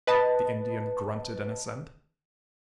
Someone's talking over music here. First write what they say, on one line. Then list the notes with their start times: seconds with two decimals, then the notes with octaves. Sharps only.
The Indian grunted an assent.
0.07 B4 D#5 A5